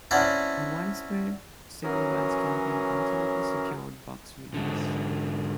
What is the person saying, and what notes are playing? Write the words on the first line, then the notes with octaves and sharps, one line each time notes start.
A widespread civil rights campaign ultimately secured Buck's release.
C4 C#4 E4 D5 F#5 A5
E3 F#3 C#4 G#4 A#4
G#2 D3